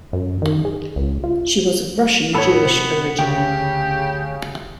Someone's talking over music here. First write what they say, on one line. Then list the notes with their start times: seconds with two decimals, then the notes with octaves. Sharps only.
She was of Russian Jewish origin.
0.13 F#2
0.42 D#3
0.65 G#4
0.96 C#2
1.24 F4
2.34 A2 B3 A4 C#5 A5 B5
2.65 C3 C5 C#7
3.19 D2 C#3 G4 G5